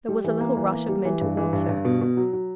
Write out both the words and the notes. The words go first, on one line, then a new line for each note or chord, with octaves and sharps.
There was a little rush of men towards her.
G3
E3
A#3
E3
A#3
G3
E3
G2
E3
G2
G2
B2
B2
F#3
F#3